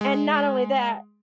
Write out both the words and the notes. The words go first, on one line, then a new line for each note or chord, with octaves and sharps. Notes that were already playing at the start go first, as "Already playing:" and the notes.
and not only that,
G#3